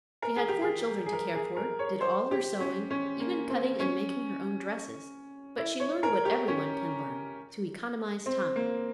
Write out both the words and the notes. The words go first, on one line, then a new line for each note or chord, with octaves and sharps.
She had four children to care for, did all her sewing, even cutting and making her own dresses; but she learned what every one can learn,--to economize time.
A#4
G#4
G4
G#4
G#4
A#4
G#4
A#4
C#5
C5
G4
C#4
C#4
A#3
C4
C#4
E4
C#5
A#4
G4
C#4
C4
A#3